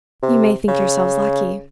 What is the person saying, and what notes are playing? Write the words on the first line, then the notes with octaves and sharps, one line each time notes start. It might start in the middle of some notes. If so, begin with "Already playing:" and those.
'You may think yourselves lucky.'
C3
C#3